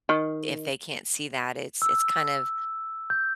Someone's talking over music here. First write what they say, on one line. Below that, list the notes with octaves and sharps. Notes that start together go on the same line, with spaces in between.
if they can't see that, it's it's kind of
D#3
E6
G6